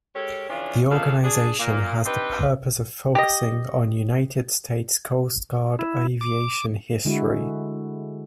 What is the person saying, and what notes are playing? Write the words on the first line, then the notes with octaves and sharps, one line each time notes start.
The organization has the purpose of focusing on United States Coast Guard aviation history.
G#3 G4 A4 A#4 C#5
C#3 E3 F3 D4 F4 C#5
A#2 F3 G#3 A#3 A4 F5
D4 G#4
A#2 A#3
C4 D4 D#4 G4 B4
G4 D#5
E4
D6
D3 G#3 E4 F#4